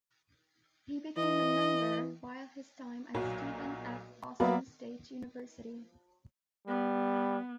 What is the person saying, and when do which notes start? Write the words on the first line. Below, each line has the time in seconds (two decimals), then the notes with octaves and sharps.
He became a member while his time at Stephen F. Austin State University.
1.17 E3 D#5
3.14 B1 A#2 F#3
4.40 F#3 A#3 B3 D5 E5
6.68 G3 B3